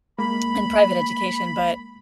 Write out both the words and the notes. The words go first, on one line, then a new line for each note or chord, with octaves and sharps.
in private education, but
G#3 A#3 B5